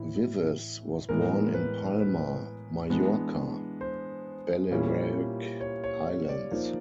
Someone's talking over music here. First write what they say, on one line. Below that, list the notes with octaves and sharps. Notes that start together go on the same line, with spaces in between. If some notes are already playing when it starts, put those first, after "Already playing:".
Vives was born in Palma, Majorca, Balearic Islands.
Already playing: A2 E3 E4
A2 E3 G#3 B3 A#4
B4
B4
E3 G#3 B3 D4
C5
A#2 G3 A#3 C#4 E4
C#5
C#5
D5
F3 A#3 D#4